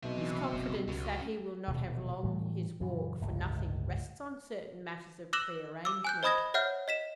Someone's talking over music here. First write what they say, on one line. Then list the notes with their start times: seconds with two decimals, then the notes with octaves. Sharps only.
His confidence that he will not have long his walk for nothing rests on certain matters of pre-arrangement.
0.03 B1 B2 C4 E5
0.18 E3
0.53 F#1
0.88 C#2 C#4 F#4
1.68 D#1 B2
2.23 A2 E3 G3 A3
2.80 F#2 A#2 C#3 E3
3.21 G1 C#2 A2
5.33 D6 E6 F#6 A#6 E7 F#7
5.85 D6 E6
6.04 G#5 F#6 G6
6.23 C5 D#5 B5 D#6 G#6 A#6
6.54 C#5 E5 F#5 F6 G6
6.88 D#5 B6 E7